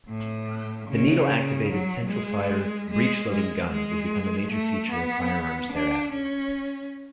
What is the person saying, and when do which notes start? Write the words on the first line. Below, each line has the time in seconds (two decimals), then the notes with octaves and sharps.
The needle-activated central-fire breech-loading gun would become a major feature of firearms thereafter.
0.08 A2
0.89 C#3
1.69 F#3
2.10 G#3
2.90 G#3
3.30 G#3
3.71 G#3
4.52 A3
4.92 B3
5.73 D4
6.13 C#4